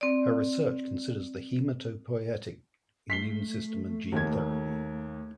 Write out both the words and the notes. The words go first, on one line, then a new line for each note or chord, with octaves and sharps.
Her research considers the haematopoietic immune system and gene therapy.
C4 D5
A3 B6 C7 G7
D#2 A#3 G#6